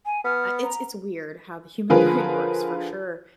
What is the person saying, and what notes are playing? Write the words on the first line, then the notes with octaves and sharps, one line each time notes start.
I it's it's weird how the human brain works for sure,
G#5
B3 F6
A#5
D3 F3 F4 G#4 A#4 B4